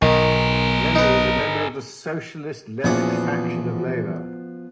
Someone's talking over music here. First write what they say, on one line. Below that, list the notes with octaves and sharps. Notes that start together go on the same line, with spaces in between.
Lundy is a member of the Socialist Left faction of Labor.
B1 B2 D#3 G#4 A#4
D#4 B4
E2 A#2 F3 B3 C#4 F#4 D6 D#6